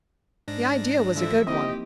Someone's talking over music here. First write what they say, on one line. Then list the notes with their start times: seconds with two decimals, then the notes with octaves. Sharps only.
The idea was a good one.
0.48 G#2 D4 A#6
1.15 D3 E3 F3 E5
1.47 A#3 C4 D#4 E4 G4 D#5